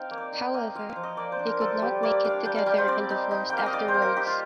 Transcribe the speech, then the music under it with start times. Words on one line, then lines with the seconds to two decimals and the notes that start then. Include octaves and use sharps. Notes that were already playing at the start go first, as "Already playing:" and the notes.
However they could not make it together and divorced afterwards.
Already playing: C4 D#4 F5 G5
0.11 A#3
0.18 D5
0.33 D#4
0.54 A#3 D#5
0.75 F4 F5
0.89 F5
0.96 F3
1.03 D#5
1.17 A#3 D5
1.32 C5
1.39 D4
1.47 A#4
1.60 F4 A4
1.82 G3 G4
2.03 A#3 D5
2.24 D4 F5
2.45 G3 G5
2.56 F5
2.66 G3 D5
2.78 C5
2.88 C4 D5
3.10 D#4
3.31 D#4
3.50 A#3 G5
3.58 F5
3.66 D#5
3.73 D#4 D5
3.88 C5
3.94 A#3
4.02 A#4
4.16 D#4 G4
4.27 F4